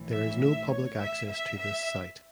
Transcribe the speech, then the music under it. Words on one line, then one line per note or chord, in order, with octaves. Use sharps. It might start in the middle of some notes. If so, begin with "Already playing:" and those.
There is no public access to this site.
Already playing: A#1 A2 E3
E5
E5
C#5
E5
E5
E5